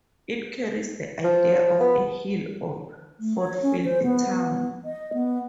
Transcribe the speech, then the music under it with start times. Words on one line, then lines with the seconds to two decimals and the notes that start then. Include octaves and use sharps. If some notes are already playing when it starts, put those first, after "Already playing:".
It carries the idea of a hill or fortified town.
1.24 F3
1.80 B3
3.18 A3
3.38 C#5
3.62 C#4
3.85 C5
4.03 B3
4.27 B3
4.85 D#5
5.14 B3